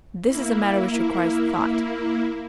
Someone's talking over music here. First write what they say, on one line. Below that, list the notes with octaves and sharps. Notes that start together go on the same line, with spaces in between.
This is a matter which requires thought.
A#3 E4